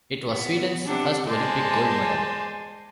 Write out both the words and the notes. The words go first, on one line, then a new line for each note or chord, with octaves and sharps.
It was Sweden's first Olympic gold medal.
B3
C3 D4 F#5
G#3 C5 D5 G#5 A5